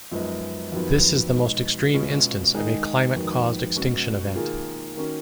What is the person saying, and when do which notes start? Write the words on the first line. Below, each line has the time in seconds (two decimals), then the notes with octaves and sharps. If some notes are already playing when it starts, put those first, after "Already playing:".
This is the most extreme instance of a climate-caused extinction event.
0.12 F#2 F3 G#3 B3 D#4
0.72 F2 D#3 F#3 B3 F4
1.33 B2 G#3 D#4 F#4
1.94 B2 G#3 C#4 F4
2.54 D#3 G#3 D#4 G#4
3.15 F2 D#3 G#3 B3 F#4
3.76 B2 G#3 C#4 F#4
4.36 D#3 A#3 F4 G#4
4.97 D#3 A#3 C#4 F#4